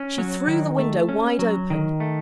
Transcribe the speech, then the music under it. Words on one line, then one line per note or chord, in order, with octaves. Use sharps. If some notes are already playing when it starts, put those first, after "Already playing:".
She threw the window wide open.
Already playing: C#4
F#3
D#3
A3
C#4
F#3
D#3
A3